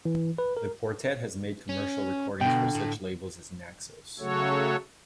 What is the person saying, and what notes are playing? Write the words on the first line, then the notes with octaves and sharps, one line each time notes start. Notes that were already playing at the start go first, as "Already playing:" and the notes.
The quartet has made commercial recordings for such labels as Naxos.
E3
B4
A#4
C#4
B2 D3 G5
A2
C#3 F#3 A3 F#4 A4 C#5